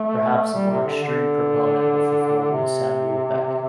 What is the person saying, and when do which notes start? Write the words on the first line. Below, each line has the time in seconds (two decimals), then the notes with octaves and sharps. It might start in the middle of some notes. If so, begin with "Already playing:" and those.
Perhaps a more extreme proponent of the form was Samuel Beckett.
Already playing: A3
0.54 G3
0.70 C3
0.86 D3
1.03 D3
2.51 C3